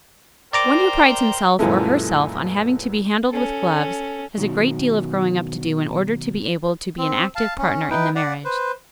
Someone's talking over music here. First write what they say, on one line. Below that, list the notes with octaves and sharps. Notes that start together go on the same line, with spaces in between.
One who prides himself or herself on having to be handled with gloves has a great deal of growing up to do in order to be able to be an active partner in the marriage.
A#4 C5 D5 G5 A#5 D6
F#2 A#2 E3 G#3 A3
C#4 A4
B2 D#3 F#3
C4
F5 A5
C#4
D#4 E4 B4 G5
D5 F#5
B4 C5